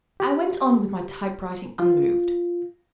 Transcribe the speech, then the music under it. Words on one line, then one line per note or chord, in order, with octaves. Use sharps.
I went on with my typewriting, unmoved.
G4
F4